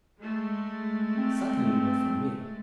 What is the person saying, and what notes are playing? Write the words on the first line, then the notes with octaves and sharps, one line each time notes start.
Certainly not from me.
G#3 A3
C4